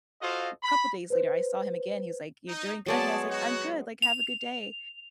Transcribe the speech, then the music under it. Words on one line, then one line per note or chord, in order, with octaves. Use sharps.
couple days later, I saw him again, he was like, "You're doing good?" And I was like, "I'm good," like, "have a good day."
F4 F#4 A4 C5 D#5 F5
B5
B4 C5
D#4
F#3 G#3 B3 C#5 D5 A5
D#4 F#4
F7